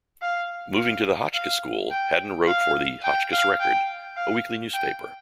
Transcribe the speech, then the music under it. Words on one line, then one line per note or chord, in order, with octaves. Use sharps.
Moving to the Hotchkiss School, Hadden wrote for the "Hotchkiss Record", a weekly newspaper.
F5
F5
F5
G5
F5
G5
F5
G5
F5
G5